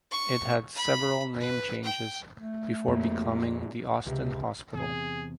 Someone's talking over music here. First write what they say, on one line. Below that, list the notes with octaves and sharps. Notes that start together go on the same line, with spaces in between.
It had several name changes before becoming the Austin Hospital.
C#6
B5
B4
G5
A3
F2 A#3
C#2 C3
E2 C3 G#4